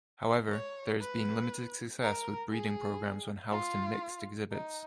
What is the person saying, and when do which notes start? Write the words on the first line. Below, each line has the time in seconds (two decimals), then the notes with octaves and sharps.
However, there has been limited success with breeding programs when housed in mixed exhibits.
0.51 C#5
1.01 B4
2.02 A#4
2.52 G#4
3.51 F4
4.52 D#4